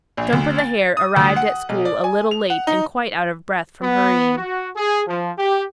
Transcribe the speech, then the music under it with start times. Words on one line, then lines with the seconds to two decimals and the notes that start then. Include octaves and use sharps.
Jumper the Hare arrived at school a little late and quite out of breath from hurrying.
0.17 A#1
0.33 D2
0.59 A6
0.97 D#6
1.16 D2
1.36 F#5
1.69 B1
1.85 D5
2.04 G#5
2.31 F7
2.50 F#5
2.67 D#4
3.82 B3
4.37 F#4
4.75 G#4
5.07 F3
5.38 G4